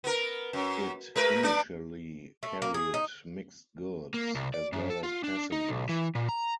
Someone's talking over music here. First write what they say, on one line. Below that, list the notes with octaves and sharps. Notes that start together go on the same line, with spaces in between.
It initially carried mixed goods, as well as passengers.
B3 A#4
F#2
G#3 A#4 B4
D4 D5
A3
A#3
G#4
D#4
A#3
C2
D5
F#2
A4
F4
D4
D#4
B1
E3
A#2
A#5